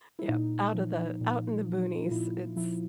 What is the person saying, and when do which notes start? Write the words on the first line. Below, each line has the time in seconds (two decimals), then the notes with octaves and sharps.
yep. Out of the out in the boonies, it's
0.19 E4
0.28 A#2 D#4
0.74 F3
1.21 A#2
1.66 F3
2.06 F4
2.11 A#2 E4
2.56 F3 E4